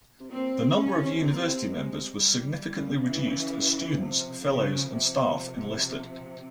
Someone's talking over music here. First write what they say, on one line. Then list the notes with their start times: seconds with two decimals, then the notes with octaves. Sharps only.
The number of University members was significantly reduced as students, fellows and staff enlisted.
0.20 C3
0.29 A#2 C4
0.52 C3
0.75 C#3 C#4
0.98 C3
1.21 C3 C4
1.29 A#2
1.38 C3
1.68 G#3
2.13 G3
2.75 C#3
3.05 E3
3.97 C3 F3
4.43 C#3
4.90 C3